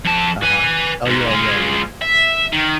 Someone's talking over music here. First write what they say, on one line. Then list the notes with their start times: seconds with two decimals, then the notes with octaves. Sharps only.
Uh-huh. Oh, yeah, yeah, yeah.
0.05 F2 A5
0.43 B4 G#5
1.05 D2 G#2
1.30 G#3 F4
2.02 E5
2.53 D#3